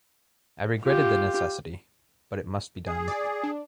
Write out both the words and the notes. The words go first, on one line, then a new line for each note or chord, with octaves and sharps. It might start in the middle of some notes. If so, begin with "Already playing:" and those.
I regretted the necessity, but it must be done.
F4 G4
G#4
D5
D4